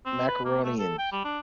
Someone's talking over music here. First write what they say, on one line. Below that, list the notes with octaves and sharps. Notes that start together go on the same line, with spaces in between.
macaroni and
C4
B4
A#3
A3
A4
G5
G3
D4